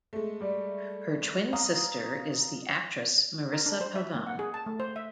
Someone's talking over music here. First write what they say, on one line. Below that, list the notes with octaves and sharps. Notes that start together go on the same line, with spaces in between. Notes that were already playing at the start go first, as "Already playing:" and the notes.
Her twin sister is the actress Marisa Pavan.
G#3 A3
G3 D5
F5 A#5 D#6
A#4
D4
C5
E5
A#3
F#5
G#4
A5
A3
C5
E5